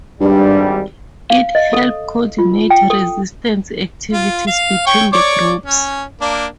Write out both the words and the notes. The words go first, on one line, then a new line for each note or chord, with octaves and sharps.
It help coordinate resistance activities between the groups.
G#1 G2 G3
F5
D#5
A4
F4
G5
A4
F4
F5
C#5 G5 C#6
C#5 D5 D6
C#4
A#3 D4